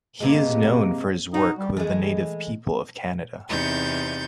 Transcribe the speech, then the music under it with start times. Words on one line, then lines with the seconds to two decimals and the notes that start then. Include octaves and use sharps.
He is known for his work with the native people of Canada.
0.20 G2 C3 G#3 A#3
1.34 D#4 F#4
1.59 G3
1.77 E3 G#3 A3
3.48 E2 C3 D#4 G6 A6